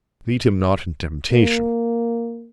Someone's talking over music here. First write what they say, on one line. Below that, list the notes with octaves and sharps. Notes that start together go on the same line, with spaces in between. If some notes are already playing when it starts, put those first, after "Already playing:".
Lead him not into temptation.
A#3